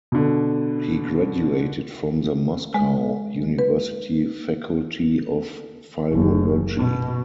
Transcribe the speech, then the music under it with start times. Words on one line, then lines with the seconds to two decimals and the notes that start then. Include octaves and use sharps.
He graduated from the Moscow University faculty of philology.
0.12 B2 D3
2.74 G#3
3.59 B4
6.12 F#1
6.77 B2